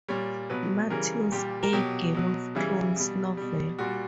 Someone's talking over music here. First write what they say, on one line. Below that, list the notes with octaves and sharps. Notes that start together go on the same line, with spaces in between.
Martin's A Game of Thrones novel.
A#2 G3 C#5
B2 F#3 B4
C#3 E3 G3 A#4
A#2 G3 G4
A#4
B2 F#3 G4
B2 F#3
C#3 E3 G3 E4
B2 G3
B2 G3
A#2 G3 F#4